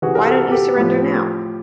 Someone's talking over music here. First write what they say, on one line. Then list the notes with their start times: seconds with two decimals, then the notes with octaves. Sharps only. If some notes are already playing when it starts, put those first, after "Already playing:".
Why don't you surrender now?
0.02 C3 E3 F#4 G#4
0.15 A#4
0.27 G4 A4
0.51 G4 A4
0.77 A2 F3